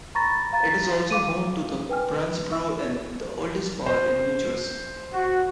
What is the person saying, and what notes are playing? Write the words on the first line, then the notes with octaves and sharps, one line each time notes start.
It is also home to the Barnsboro Inn, the oldest bar in New Jersey.
A#5 B5 C#6 A6 A#6
F5 A#5 A6
F5 D6 D#7
B4 G5 G#5 F6
E5 E6
C5
F#4